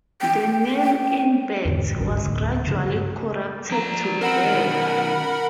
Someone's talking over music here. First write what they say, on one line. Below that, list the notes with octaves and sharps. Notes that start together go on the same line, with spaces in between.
The name "Imbert" was gradually corrupted to "Bear".
G5
E2 G#2 D3 E3
D1 G#1
D2 A2
G2 C#3 F3
F3 A#5
C4 A#4 F#5 B5
B2 D#3